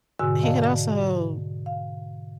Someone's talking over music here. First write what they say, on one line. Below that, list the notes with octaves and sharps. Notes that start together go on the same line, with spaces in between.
he could also
G#2 B2 D3 F#4 G#5 E6
D5 D#5 F5 A5
F5